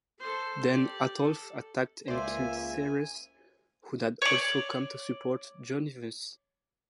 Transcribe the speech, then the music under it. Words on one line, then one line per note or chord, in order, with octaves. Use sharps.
Then Ataulf attacked and killed Sarus, who had also come to support Jovinus.
A4 C5
G4 D5
A4
C#2 A#3 C5 D5 E5 G#5
C#5 D5